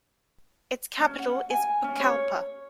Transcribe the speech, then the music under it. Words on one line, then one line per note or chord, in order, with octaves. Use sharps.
Its capital is Pucallpa.
C#4
F#5
G#5
C#4
C#5